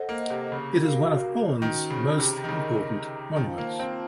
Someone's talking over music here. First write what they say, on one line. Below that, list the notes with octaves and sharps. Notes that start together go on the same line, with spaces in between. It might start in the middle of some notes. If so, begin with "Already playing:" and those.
It is one of Poland's most important monuments.
Already playing: A4 C5 D#5 F#5
A#3
C3
C#3
F#4 A#4 F5
D#3 C#4 F#4 C5
C#3
C3
D#3
C#3 A#4 D#5 A#5
D#3 F4 C5 F5 A5
A#3
C4